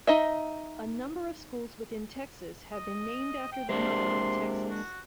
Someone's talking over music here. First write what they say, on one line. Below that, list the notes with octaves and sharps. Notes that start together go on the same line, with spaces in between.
A number of schools within Texas have been named after the Mother of Texas.
D#4 D#5 E5
D#5
G5
C3 G#3 A#3 D4 C6
F#4